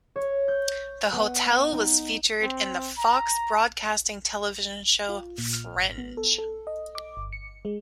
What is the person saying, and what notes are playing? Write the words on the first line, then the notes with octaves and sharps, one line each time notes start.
The hotel was featured in the Fox Broadcasting television show "Fringe".
C#5
G6
B3
D#4
C4
A#5
F4
A#2
F6
G#1
B3
A4
A4
D#5
D6
G1
C#7
G#3